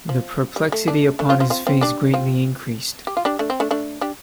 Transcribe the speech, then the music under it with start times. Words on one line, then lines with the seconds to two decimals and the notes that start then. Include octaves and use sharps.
The perplexity upon his face greatly increased.
0.09 F3
0.56 G3
0.72 A3
0.88 A3 D4
1.19 A3 D4
1.29 C4 F4
1.40 C4 F4
1.50 C4 F4
1.67 C4 F4
1.81 D4 G4
2.14 C4 F4
3.07 G4
3.17 F4
3.25 D4 G4
3.39 A3 D4
3.50 C4
3.60 A3 D4
3.71 A3 D4
4.01 D4 G4